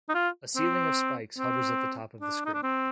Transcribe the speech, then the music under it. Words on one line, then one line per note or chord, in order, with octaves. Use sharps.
A ceiling of spikes hovers at the top of the screen.
D#4
F4
C4
C4
D4
D#4
D4
C4